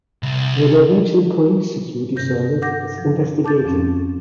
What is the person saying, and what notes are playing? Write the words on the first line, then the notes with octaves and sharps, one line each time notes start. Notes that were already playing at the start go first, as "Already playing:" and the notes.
The Norwegian Police Security Service is investigating.
C2
G2 C3 G6 A#6
F#5 D6 G6 A#6
F3
A5 D6 G6 A6
F2 F3 C4 C#4